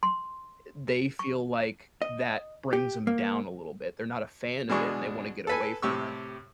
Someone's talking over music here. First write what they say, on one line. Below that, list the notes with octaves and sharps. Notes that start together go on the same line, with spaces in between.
i they feel like that brings 'em down a little bit. They're not a fan of it, and they wanna get away from it,
C6
C#6
D#5
G4
A#3
B2 E3 G#3 D4 C#6
A4 B4 G#5
A2 C3 G4 C#6 E6